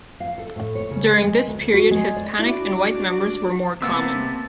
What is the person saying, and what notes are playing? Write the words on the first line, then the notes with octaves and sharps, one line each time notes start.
During this period Hispanic and white members were more common.
F5
A4
A2
C#5
C#3
G#3
D2
F#4
G#3
D5
D4 E4 F#4
C3 A#3 B3 A5 E6